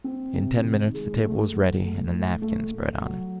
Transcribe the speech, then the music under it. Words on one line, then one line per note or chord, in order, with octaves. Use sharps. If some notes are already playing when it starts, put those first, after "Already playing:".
In ten minutes the table was ready and a napkin spread on it.
C4
C3
D#3
G#3
A3
F#3
A3
A2
A3
A3
F#3